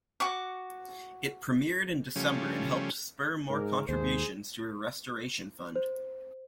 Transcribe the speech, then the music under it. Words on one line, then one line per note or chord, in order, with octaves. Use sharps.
It premiered in December and helped spur more contributions to her restoration fund.
F#4 C#6 D6
C#3 F3 G3 A3 C#4
G#2 G#4 A#4
D#2 G#2 G#4 C5
C5